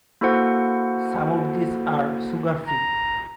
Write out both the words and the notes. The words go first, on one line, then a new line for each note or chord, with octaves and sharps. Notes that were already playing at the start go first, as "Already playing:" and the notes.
Some of these are sugar free.
A#3 E4 F#4 A4 C5 F#5
A#5